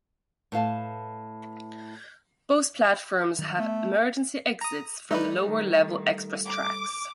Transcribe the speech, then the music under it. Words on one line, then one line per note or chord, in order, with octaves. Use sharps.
Both platforms have emergency exits from the lower level express tracks.
A2 B4 F5 A5
G2 D#3
A3 B3
A#5 D#6
G3 A3 D#4 B4
D#3
D6